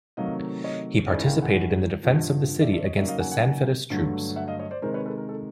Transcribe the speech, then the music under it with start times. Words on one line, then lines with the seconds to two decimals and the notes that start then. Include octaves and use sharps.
He participated in the defence of the city against the Sanfedist troops.
0.17 C3 D#3 F#3 A3 D#5 F5
0.64 C#5 D#5
1.10 G#2 D#3 G#3 C#4 E4 C5 D5
1.26 F5 G5
1.42 F#5 G#5
2.03 G2 D3 F3
2.61 D5 E5
2.73 D5 E5
2.85 C#5 D#5
2.96 C#3 F#3 A#3 D#4 D5 E5
3.08 D#5 F5
3.20 F#5 G#5
3.31 F#5 G#5
3.90 G2 D3 F#3 A3
4.36 E5 F#5
4.48 D#5 F5
4.59 C#5 D#5
4.71 C5 D5
4.82 C3 D#3 G#3 A#4 C5
4.94 B4 C#5
5.06 A4 B4
5.18 A#4
5.29 A4